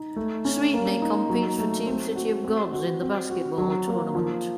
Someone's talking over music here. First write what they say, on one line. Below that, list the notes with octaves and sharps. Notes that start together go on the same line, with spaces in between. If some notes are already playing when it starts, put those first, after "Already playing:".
Sweetney competes for Team City of Gods in The Basketball Tournament.
Already playing: D#4
A3
C#4
A#3
D#4
F#3
A3
C4
F#4
C4
F#4
C4
F#4
F#3
A#3
F3